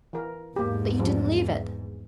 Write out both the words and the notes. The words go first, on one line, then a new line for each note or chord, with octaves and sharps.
"But you didn't leave it."
E3 A#4
E2 G#2 A#3 G4
F3 G3 C4